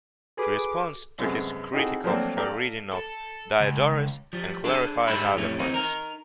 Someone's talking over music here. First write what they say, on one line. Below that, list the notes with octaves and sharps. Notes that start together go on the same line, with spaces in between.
She responds to his critique of her reading of Diodorus and clarifies other points.
F#4 G#4 A4 B4 D6
C2 F#2 G#3 B3 A4
C4 D#4 E4 F#4 G#4 A4
F3 F#3 A3 A#3 C4 D4
A4 D5 F5 G5 A#5
A4
C#2
F3 G3
D4 G#4 A4
G#2 G3 D#4 G#4 E5 B5
F2 A2 E3 G3 A3 C#4
E3 C4 D#4
D#4 A#4